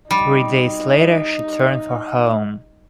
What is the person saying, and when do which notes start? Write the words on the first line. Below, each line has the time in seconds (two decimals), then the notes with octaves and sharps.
Three days later, she turned for home.
0.11 G3 D#4